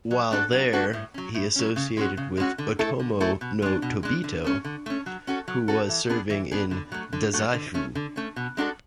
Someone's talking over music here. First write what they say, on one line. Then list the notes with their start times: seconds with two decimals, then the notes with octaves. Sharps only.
While there, he associated with Otomo no Tabito, who was serving in Dazaifu.
0.11 F#3
0.31 A3 D4 F#4 A4
0.53 F#3
0.73 A3 D4 F#4 A4
0.93 A2
1.14 F#3 C#4
1.34 A2
1.56 F#3 C#4
1.76 C#3
1.97 G#3 C#4 F#4
2.17 C#3
2.37 G#3 C#4 F#4
2.58 D3
2.79 A3 E4 A4
3.00 D3
3.20 A3 E4 A4
3.41 B2
3.62 G#3 D4
3.82 B2
4.03 G#3 D4
4.24 D3
4.44 A3 C#4
4.65 D3
4.86 A3 C#4
5.06 F#3
5.27 C#4 F#4 A4
5.48 F#3
5.68 C#4 F#4 A4
5.89 E3
6.09 B3 D4 G#4
6.30 E3
6.51 B3 D4 G#4
6.71 D3
6.92 F#3 A3
7.13 D3
7.33 F#3 A3
7.54 D3
7.74 A3 C#4
7.95 D3
8.16 A3 C#4
8.36 B2
8.57 G#3 D4 F#4 A4